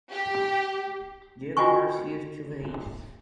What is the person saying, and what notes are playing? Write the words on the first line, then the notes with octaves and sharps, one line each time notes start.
Diego Garcia is to the east.
G4
F4 F#4 D#5 G5 G#5 C#6